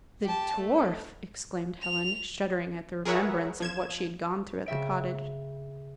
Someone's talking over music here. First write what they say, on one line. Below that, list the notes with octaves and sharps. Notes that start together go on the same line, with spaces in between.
"The dwarf!" exclaimed Helen, shuddering at the remembrance of what she had gone through at the cottage.
G4 A5
A3
F7
G#4 A#4 B4 C#5 E5 F#5
F3 G#6 E7
C#3 C4 E5 D7